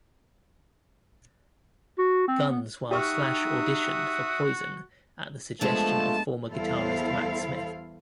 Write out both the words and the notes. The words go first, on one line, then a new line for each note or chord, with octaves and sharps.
Guns while Slash auditioned for Poison at the suggestion of former guitarist Matt Smith.
F#4
C4
B3
D#4 F#4 G4 E5 C#6 D#6 F6
G2 F3 G#3 A3 B3 A5
E2 G3 E4 A4 C5 F5